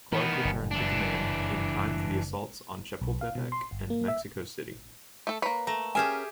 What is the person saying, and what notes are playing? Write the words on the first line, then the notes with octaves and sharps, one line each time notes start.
Clarke returned to command in time for the assaults on Chapultepec and Mexico City.
D#3 E3 B3
F#1 G2
E3 D4
B1
F5
B2
C6
G1
A#3
E5
A3 A4
A#3 B4 C#5 A#5
A3 A#5
C#4 G4 G#4 A#4 E5 G#5